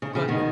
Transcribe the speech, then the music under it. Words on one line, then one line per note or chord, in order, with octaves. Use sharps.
Oh, god, yeah.
C#3
C#3
B2 D#3